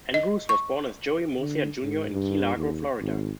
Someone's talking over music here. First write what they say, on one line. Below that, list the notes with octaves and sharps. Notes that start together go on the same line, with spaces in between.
Andrews was born as Joey Murcia Junior in Key Largo, Florida.
D#5
C#6
D3
G#2
G2
D#2
G#1